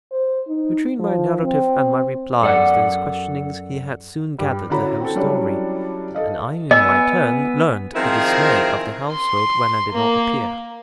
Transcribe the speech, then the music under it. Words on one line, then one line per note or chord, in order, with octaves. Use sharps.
Between my narrative and my replies to his questionings he had soon gathered the whole story, and I in my turn learned the dismay of the household when I did not appear.
C5
D#4
F3
C4
F#2 A4 D5 F#5
G2 G4
D3 C#4 E4 F#4 A#5 B5
C4 A4
F#3 G3 C#4 D4 E4 A4
A4 D#5 F5
B3 D#5 G#5 E6
D#3 F3 C4 E4 G#4 A#4
C6
A#3